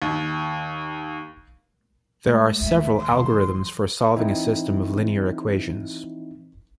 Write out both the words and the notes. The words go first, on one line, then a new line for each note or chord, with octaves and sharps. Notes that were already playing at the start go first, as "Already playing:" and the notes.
There are several algorithms for solving a system of linear equations.
D#2
G#3 A3
A1 D#2 E5
C6
E1 C3
D#3 E3 F#3
E3 C4 D#4 E4